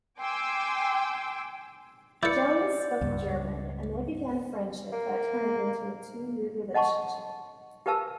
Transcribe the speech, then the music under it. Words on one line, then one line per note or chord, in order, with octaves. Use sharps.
Jones spoke German and they began a friendship that turned into two-year relationship.
G5 G#5 C6 D6 E6
E4 B4 D5 G6 A6 C#7
C#2 G2
A#3
D#5 F#5 A5 C6 C#6
G4 A#4 B4 F5 A5 E6